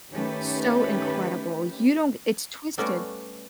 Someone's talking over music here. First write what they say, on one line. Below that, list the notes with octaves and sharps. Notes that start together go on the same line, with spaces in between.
So incredible, you don't g it's twisted.
D#3 A3 C#4 G4 B4
G3 A3 B3 C#4 F#4 D5